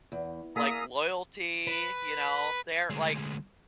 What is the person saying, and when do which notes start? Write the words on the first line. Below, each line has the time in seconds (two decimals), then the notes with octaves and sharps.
like, loyalty, you know, they're, like,
0.12 E2
0.56 A#3 G#4 D5 E5 F5 A#5 D#6
1.67 B4
2.90 D2 G#3